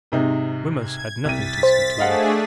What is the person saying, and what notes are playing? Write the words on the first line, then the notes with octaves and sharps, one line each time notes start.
Wemyss had nothing to see to.
G#2 C3 D#4
G#6
C2 A6 B6 D#7
C5
A3 D4 G#4 D#5 F5 F#5